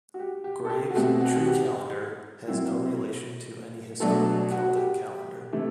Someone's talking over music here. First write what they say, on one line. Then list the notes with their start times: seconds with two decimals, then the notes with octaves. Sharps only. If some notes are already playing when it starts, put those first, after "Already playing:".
Graves' "Tree Calendar" has no relation to any historical Celtic calendar.
0.14 F#4
0.19 G4
0.44 G4
0.65 A4
0.70 G4
0.90 F#4
0.95 B2 A3 C4 G4
1.21 F#4
1.36 F#4
1.46 G4
2.48 F#3 C4 E4
4.00 B2 F#3 A3 D4 A4
4.51 F#4
4.77 G4
5.52 C3 E3 A3 E4